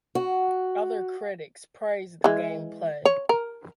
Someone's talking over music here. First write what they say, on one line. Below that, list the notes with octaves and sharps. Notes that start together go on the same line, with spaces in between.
Other critics praised the gameplay.
F#4
E3 G#3
C#5
A#4